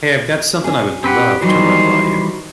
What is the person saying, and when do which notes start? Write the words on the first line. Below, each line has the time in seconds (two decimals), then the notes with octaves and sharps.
Hey, I've got something I would love to run by you.
0.64 C#4 G#4
1.04 C4 G4 B4 F#5
1.42 D#3 E3 F#3 G3 C5